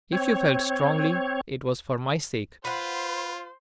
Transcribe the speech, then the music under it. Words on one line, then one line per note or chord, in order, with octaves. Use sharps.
If you felt strongly, it was for my sake.
C4 C#5
F4 B4 C5 F#5